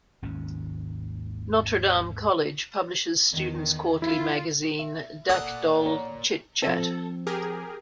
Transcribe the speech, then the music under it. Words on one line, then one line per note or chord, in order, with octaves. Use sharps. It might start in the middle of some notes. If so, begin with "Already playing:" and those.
Notre Dame College publishes students' quarterly magazine "Dhak Dhol - Chit Chat".
G#1 D#2 G#2 C#4
E2 D#3
E4 F4
E5
A#3 A4 D5 F#5 D#6
C#5 A#5
F3 C4 A4
G4 G#4 A#4